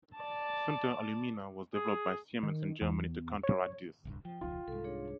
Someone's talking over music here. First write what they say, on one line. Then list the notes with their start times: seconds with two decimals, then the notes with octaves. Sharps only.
Sintered alumina was developed by Siemens in Germany to counteract this.
0.15 D5 A5
1.74 G#4
2.43 D#3
2.82 E2
3.43 C#5
4.05 D1 C2 G2
4.25 F3 G5
4.41 E1 C#2 F3 F4
4.68 C2 G#2 A4
4.84 D4 G#4 C#5